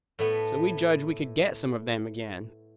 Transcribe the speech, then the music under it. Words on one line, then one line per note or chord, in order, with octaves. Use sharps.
So we judged we could get some of them again.
A2 A3 B3